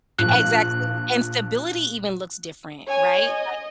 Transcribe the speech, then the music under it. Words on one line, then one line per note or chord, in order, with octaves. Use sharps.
exactly, and stability even looks different, right, like,
A#1 F3 F4 F#6
C#5 G#5
D#5